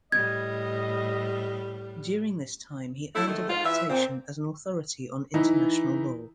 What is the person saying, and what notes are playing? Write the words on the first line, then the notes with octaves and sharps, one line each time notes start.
During this time, he earned a reputation as an authority on international law.
A2 G3 D#5 G#6
A3 E4
D3 D#3 A3
G#2 F4
E3 F4 E5
A#2 C4
E3 D#4 E4